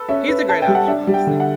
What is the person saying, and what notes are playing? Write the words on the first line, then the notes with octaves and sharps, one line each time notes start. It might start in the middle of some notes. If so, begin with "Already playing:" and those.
He's a great option, honestly.
Already playing: A4 B4
C#4 E5
B4
B4 A5
G5
G3
F#5
D4 E5
G3
G5
D3
F#5